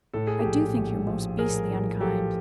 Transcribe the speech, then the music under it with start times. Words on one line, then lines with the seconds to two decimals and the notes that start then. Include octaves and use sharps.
I do think you're most beastly unkind.'
0.14 A2 A4
0.27 G#4
0.40 A#1 G4 A4
0.76 A#1
1.07 F3
1.38 A2 G#4 A#4
1.70 A2
2.01 F3 G4 A4